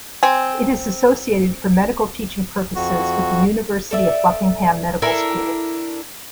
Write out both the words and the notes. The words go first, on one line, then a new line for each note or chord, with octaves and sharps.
It is associated for medical teaching purposes with the University of Buckingham medical school.
C4 G#5
F2 F#4
A4 D5 E5
D4 E4 A4 A#4